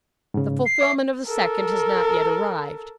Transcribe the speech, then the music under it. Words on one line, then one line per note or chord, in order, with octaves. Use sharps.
The fulfilment of the second has not yet arrived.
G#2 C#3
C7
C#5 E5 D6
A4 A#4